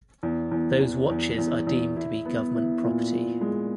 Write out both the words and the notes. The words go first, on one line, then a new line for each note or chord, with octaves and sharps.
Those watches are deemed to be government property.
E2
E2
E2
E2
E2
E2
E4
B3
E4
A#2
A#2
G#3